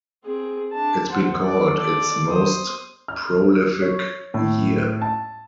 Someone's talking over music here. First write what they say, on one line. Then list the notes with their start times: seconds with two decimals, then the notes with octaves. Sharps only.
It's been called its most prolific year.
0.25 C4 G#4
0.72 D4 A5
1.10 C5 F#5
1.44 D5
1.74 A4 D5
2.27 C5 D#6
3.08 F6
3.82 C#5
4.34 A2
5.02 A5